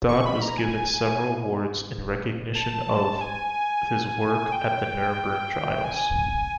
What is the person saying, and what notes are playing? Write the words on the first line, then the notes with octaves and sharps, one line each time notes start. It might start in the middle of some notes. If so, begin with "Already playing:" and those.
Dodd was given several awards in recognition of his work at the Nuremberg trials.
C#6
B5
A#5
G#5
A5
G#5
G5
G#5